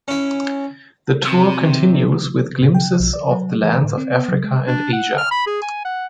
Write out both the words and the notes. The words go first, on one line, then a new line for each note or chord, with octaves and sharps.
The tour continues with glimpses of the lands of Africa and Asia.
C#4 E4
C3
A2
G5
B1
D5
F#3
E3
A2
C4
B3
F#3
G#3
D4
F#5
F6
B5
G#4
G#5
F#5